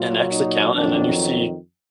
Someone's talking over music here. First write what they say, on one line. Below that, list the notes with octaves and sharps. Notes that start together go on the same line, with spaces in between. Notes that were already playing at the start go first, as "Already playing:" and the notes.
an X account, and then you see
Already playing: A#2 F#3 F4
D#4
F2 D#3 F#3 D4